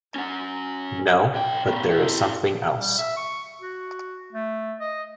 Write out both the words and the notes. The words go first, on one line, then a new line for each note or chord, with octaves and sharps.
No, but there is something else.
C#4 F#5
C#3 G5
A3 B3
E4 G4
G3
E5
C#6
F#4
A3
D#5